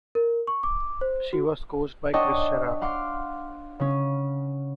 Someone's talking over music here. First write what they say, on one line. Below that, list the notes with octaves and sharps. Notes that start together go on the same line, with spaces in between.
She was coached by Kris Sherard.
A#4
C#6
D6
C5
F#4
D4 C#5 D#5 F#5 G5 A5
F5 F#5 C6 D6 F6
C#3 C#4